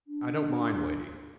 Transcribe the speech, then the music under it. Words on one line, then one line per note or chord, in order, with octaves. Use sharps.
I don't mind waiting.
D4